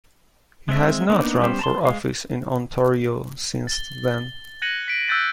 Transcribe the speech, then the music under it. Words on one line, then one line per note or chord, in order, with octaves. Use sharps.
He has not run for office in Ontario since then.
G#3 C4 E5
A#3 B3 D4 D#4
G3 B3 C#4 G4 C5
A5 A#5 C6
G#3 F5
A6 G7
F#6 G#6 A#6 C#7 D#7 F#7
B6 D7
E6 F#6 G6 A6 B6 D#7